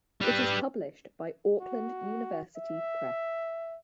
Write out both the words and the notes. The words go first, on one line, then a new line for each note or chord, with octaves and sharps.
It is published by Auckland University Press.
G3 B4
F#4
E5